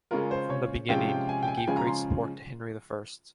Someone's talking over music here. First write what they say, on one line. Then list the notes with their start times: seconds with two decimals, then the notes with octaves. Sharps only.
From the beginning, he gave great support to Henry the First.
0.11 C#3 G#3 C#4 F4 A#4
0.31 C5
0.50 C#5
0.89 C3 F3 G#3 C#4 F4 G5
1.09 G5
1.29 G#5
1.43 G5
1.47 G#5
1.57 G5
1.67 C#3 F3 G#3 C#4 F4 G#5
1.77 A#5
1.87 C6